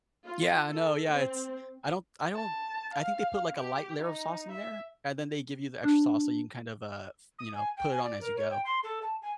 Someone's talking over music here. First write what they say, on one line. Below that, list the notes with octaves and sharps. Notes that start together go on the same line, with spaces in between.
Yeah, I know, yeah. It's I don't I don't I think they put, like, a light layer of sauce in there, and then they give you the extra sauce so you can kind of, uh, f you know, put it on as you go,
F4
A4
C4
A5
F5
G4
D#4
E5
D4
D#6
G#5
G5
G#5
D5
A#4
C#5
G5
C6
A4
A5
G#5